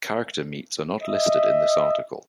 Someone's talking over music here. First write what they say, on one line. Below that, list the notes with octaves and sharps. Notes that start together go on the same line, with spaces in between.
Character meets are not listed in this article.
D#5 E5